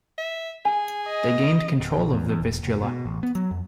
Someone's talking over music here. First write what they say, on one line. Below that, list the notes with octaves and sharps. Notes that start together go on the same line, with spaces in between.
They gained control of the Vistula.
E5
G#4 G#5
D#5
D1
A#1
E2
E2
E1
F1
B2
A1
B3
F#3
F2